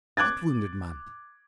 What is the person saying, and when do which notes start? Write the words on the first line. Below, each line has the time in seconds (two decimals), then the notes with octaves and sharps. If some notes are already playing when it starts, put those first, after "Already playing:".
"What wounded man?"
0.17 D6 F#6 G#6 A6